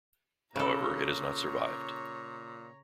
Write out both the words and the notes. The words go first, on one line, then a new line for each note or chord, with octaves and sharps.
However, it has not survived.
A#2 C#3 C#4 A4 C#5 A#5 B5